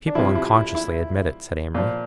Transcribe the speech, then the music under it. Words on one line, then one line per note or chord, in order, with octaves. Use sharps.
"People unconsciously admit it," said Amory.
D4
C3 F3 E4
E4
E4
E4
A#2 F3